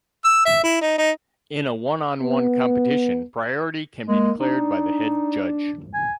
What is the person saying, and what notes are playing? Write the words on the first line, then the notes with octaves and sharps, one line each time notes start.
In a one-on-one competition, priority can be declared by the Head Judge.
E6
E5
E4
D#4
D#4
B3
G#3 A#3
D4 D#4
G#5